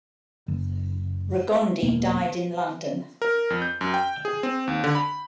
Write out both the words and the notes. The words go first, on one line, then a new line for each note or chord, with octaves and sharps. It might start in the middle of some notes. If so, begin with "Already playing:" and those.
Regondi died in London.
F#1
E1 A#3
A#4
F2
G6
F#2
G5
G#4
C4
D#2
D3
B5